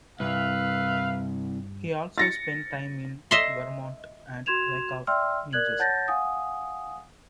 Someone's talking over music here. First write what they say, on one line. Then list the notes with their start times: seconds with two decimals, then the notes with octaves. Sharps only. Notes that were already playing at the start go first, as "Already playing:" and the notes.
He also spent time in Vermont and in Wyckoff, New Jersey.
0.20 C2 G2 B4 E5 F5
2.18 A6 A#6 C#7
3.31 D#5 E5 C6
4.46 F#4 C6 G#6 E7 F7
5.07 D5 E5 G5 C6 E6 F6
5.53 A#4 D5 F#6 G#6 F#7
5.79 C#5 F#5 A5 G6 A6 A#6
6.08 F5 F#5 G#5 D#6